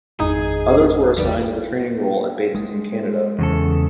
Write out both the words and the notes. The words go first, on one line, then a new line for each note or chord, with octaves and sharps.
Others were assigned to the training role at bases in Canada.
G#1 F2 G#3 D#4 G#4
G1 E2 G3 D5
G#3
E2 C#3 A4